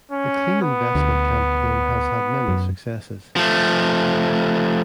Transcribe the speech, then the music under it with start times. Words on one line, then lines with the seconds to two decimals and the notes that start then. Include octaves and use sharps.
The Clean Investment campaign has had many successes.
0.11 C#4
0.62 B3
0.95 D2
2.48 F#2
3.36 F3 A3